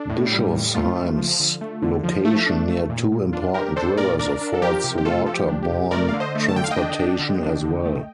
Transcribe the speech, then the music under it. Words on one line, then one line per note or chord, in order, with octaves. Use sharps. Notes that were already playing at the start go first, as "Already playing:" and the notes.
Bischofsheim's location near two important rivers affords waterborne transportation as well.
Already playing: D4 A4
A2
G3
A2
A3 F4
A3
F3
D3
A3
D3
F3
A3
D4
A3
A#2
A#2
D4 F4
D4 G4 A#4
D4 A4 C5
A#2 A#4 D5
D4 A#4 D5
D4
A4
F3 G4 A#4
C3
G4
A3 F4 A4
F3 A4
G4
D4
G4
C3
A3 A#4 D5
D3 F5
C5 D#5
A3
A5
D3 G5
F5
D#5 G5
D4
D4
D3
D4
D3
A3